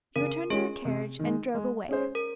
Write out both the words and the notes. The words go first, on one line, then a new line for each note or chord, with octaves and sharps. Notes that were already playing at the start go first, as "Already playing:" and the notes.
She returned to her carriage and drove away.
C#3 A#4
G#3 C#4 F4 G#4
C3
D#3 G#3
G#3
C#4 G#4 C5
A#4